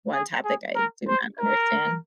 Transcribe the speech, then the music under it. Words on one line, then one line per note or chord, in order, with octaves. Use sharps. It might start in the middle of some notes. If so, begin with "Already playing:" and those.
one topic I do not understand.
G#4
G#4
A#4
C5
A#4